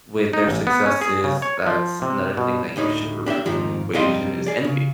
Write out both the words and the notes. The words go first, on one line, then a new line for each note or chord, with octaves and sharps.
with their successes, that's another thing that you should remove from the equation is envy.
D#4
A1
B3
C#4
G#4
C#3
C#5
F3
C3
B2
D2 A2 D#4 C#5
D4 G4 D#5 E5
F2 G#2 D#3 F3
F2 C3 G3 D#5 F5 C6
G#4 D5
C#3